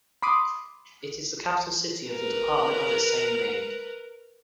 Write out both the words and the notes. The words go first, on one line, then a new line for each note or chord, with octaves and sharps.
It is the capital city of the Department of its same name.
B5 C6 D6 D#6
A#4 B4